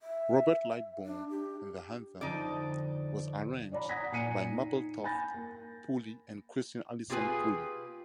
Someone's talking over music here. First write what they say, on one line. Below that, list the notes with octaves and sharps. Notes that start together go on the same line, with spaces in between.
Robert Lightbourne, and the anthem was arranged by Mapletoft Poulle and Christine Alison Poulle.
E5
D4
G4
F2 D3 F3 D#4 D5
C#5 D5 A#5 B5
F#5 A#5 D#6 G#6 A#6 B6
A#2 G#5 C7 C#7 D#7
D#4
G#5 B5 G6 A6 A#6
A#3
A#3 F4 G4 G#4 B4 G#5